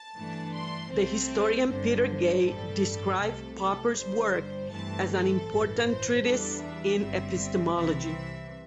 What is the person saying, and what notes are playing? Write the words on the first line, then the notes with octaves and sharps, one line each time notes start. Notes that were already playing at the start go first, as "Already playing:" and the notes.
The historian Peter Gay described Popper's work as "an important treatise in epistemology".
Already playing: A5
G2 E3 A3 D4
C6
C2 C3 A3 C4 C5
C5
G1 G2 D3 C5
A1 G2 G3 A4
C2 C3 A3
A4
G1 G2 G3 C5
G2 E3 A3 C4 A5
A4
A1 G2 E3
C5
E2 E3 G3 D4 A4
E5
G1 G2 G3 C4
C2 C3 E3 C4 E5